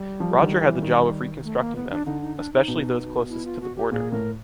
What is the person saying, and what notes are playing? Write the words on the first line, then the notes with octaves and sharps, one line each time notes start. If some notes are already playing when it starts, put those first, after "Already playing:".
Roger had the job of reconstructing them, especially those closest to the border.
Already playing: G3
F3
D3
D#3
E3
D#3
A3
A#3
B3
D4
D3 D#4
D#4
D4
D#4
B2
E4
F4
F#4
G4
A#2 G#4
A2 A#4